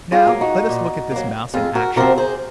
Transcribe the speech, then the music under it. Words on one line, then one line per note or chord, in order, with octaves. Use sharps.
Now let us look at this mouse in action.
F4 G#4
F#3 A#3
D#4 F#4
A#2
F#3 A#3
F2 F4 G#4
F#4 A#4
C3 F3 C4 F#4 A#4
G#4 C5